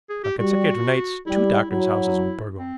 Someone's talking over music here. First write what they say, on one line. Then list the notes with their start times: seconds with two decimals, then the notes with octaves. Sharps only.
On consecutive nights two doctors' houses were burgled.
0.09 G#4
0.24 G4
0.38 G3 F#4
1.26 G3 E4
1.70 F#3 E4
2.59 C4